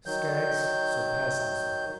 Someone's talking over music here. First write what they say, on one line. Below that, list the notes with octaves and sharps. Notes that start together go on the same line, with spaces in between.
Skaggs surpassed himself.
D#3 F#3 G6